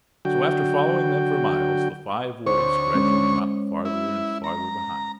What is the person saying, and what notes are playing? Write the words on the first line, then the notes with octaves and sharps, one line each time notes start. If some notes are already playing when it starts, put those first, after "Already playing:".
So after following them for miles, the five wolves gradually dropped farther and farther behind.
D3 F#3 F#4 G5
D2 C5 C#5 C#6
G#3 C#4
E4
A#5